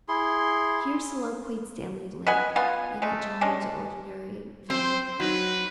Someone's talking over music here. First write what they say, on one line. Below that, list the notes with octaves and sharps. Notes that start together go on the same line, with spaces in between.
Here soliloquised Stanley Lake in that gentleman's ordinary vein.
E4 G#4 C6
B4 D#5 F#5 G#5
B3 F4 G#5
G#3 A3
G#3 C#4 D4
C4 C5
F#3 D#4 B4